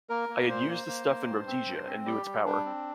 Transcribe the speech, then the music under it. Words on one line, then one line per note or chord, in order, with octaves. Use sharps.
I had used the stuff in Rhodesia and knew its power.
A#3 A#4
A#3
A#2 C5
A#3
A#3
A#3
G2
C4
G2
C4
G3 G4
G3
G3 D4
C4